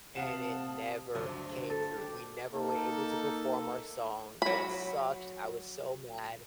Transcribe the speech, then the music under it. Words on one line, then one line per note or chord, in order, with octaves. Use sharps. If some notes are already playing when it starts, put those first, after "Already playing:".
and it never came through, we never were able to perform our song, it sucked, I was so mad.
C3 F5 F#5 A5 D#6 E7
D2 G2 F3 F#3 D4
A4
D4 G4
A#3 D#4 A4
F#3 B5